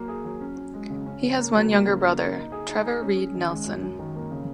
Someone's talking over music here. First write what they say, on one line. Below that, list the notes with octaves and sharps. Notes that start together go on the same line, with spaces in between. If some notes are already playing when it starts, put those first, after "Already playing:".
He has one younger brother, Trevor Reed Nelson.
Already playing: F#3 A#3
G#4
F#3
C#4
C#4
G#3
C#3
C#4
C#3
A#3
F#3
A#3
C#3
A#3
A#3
D#4
G#4
D#4
G#4
C#4
C#4
D#3
G#3
F#2
F#2
D#3
A#3
C#3